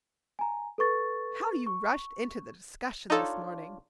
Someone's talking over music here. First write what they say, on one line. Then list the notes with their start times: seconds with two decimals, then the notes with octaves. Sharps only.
How you rushed into the discussion this morning!
0.39 G#5 A#5
0.78 A4 B4 C#6 A6
1.67 C#6
3.10 D4 D#4 F4 A4 C#5